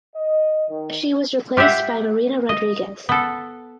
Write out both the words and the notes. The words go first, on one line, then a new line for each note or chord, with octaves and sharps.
She was replaced by Marina Rodriguez.
D#5
D#3
F4 G4 C5 E5 F#5
D#5
B3 A4